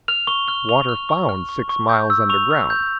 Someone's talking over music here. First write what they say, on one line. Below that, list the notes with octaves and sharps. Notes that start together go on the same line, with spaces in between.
Water found six miles under ground.
F6 F7
C#6 G7
F6 G7
C#6 F7
F6
C#6
F6
C#6
C#6
G6
E6
C#6 F7
C#6
G6